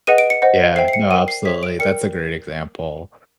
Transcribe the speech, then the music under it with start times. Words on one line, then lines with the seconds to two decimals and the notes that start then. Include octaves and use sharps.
Yeah, no, absolutely, that's a great example.
0.07 G#4 B4 D#5 F#5 D#7
0.18 D7
0.30 C#7
0.42 C5 D#5 F#5
0.76 A4 C5 E5 G5 C7
0.88 C7
0.93 C#7
1.11 A#4 D5 G5 D#7
1.28 C7
1.45 G#4 C#5 E5 B6
1.63 D7
1.79 A#4 D5 G5 C#7